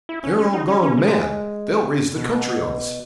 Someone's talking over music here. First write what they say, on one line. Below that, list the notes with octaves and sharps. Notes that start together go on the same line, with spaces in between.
'They're all gone mad--they'll raise the country on us.
E4
C#4
C#4
D#4
C#4
C#4
G#3
B2